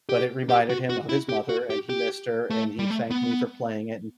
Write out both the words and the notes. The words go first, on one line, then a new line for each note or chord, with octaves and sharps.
but it reminded him of his mother, and he missed her, and he thanked me for playing it, and
G4
G4
F#4
F#4
E4
G4
F#4
G4
G4
A3
G3
A3
B3